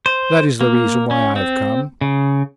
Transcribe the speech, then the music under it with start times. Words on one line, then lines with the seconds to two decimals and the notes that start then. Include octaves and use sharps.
That is the reason why I have come.
0.06 C5
0.61 A#3
1.11 C#4
1.36 C4
2.01 C#3